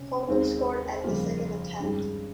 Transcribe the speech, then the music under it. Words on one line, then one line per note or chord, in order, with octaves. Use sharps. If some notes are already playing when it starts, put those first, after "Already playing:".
Koeman scored at the second attempt.
Already playing: C3 C#4
D#2 D#3 G#3 C4
F2 C#3 G3 A#3 F4
G2 D#3 G#3 C#4 G4